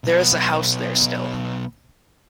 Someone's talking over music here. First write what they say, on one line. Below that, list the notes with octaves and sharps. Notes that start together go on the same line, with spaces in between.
There is a house there still.
B1 B3